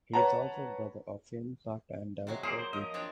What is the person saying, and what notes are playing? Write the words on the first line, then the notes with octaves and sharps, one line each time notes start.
He is also brother of famous actor and director Visu.
B4 C#5 F#5 A5 A#5
C3 F#3 G#3
A#3 G#4 C5 D5
C5
F3 A#4 D#5
C4 D4 C#5